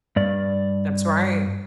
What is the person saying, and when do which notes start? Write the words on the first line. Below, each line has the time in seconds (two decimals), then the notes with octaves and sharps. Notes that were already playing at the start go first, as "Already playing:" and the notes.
That's right.
0.16 G2 D5